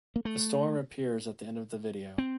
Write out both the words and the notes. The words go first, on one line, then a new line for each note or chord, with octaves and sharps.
A storm appears at the end of the video.
A#3
A3
C4